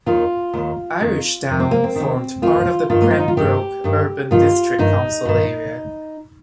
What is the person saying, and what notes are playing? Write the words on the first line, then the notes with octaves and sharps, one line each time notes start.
Irishtown formed part of the Pembroke Urban District Council area.
D#2 D#3 F4
D#2 D#3
F2 D#3
F2 D#3
C4
A#3
C4
D#2 D#3
D#2 D#3 F4
G2 D#3 F4
A#3
C4
D#4
F4
G2 D#3 G4
G2 D#3
G2 D#3 F4
G2 D#3 D#4
G2 D#3